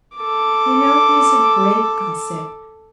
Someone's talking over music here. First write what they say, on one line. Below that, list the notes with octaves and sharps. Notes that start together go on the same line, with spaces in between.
You know he is a great gossip.
A4 D6